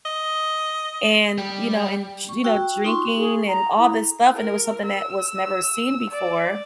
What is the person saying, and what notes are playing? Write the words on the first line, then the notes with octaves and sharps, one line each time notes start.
and you know, and d you know, drinking and all this stuff, and it was something that was never seen before,
D#5
G3
C#6
F#4 G5 E6
D#4 F4 C6 C#6
G#4
A#5
E4
A#4
E6
D5